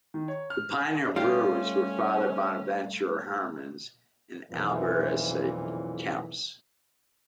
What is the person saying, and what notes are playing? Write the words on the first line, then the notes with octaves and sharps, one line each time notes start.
The pioneer brewers were Father Bonaventura Hermans and Albericus Kemps.
D#3
C#5
F6
G3 A3 C#4 F4 G4
B1 F2 A#2 C#3 E3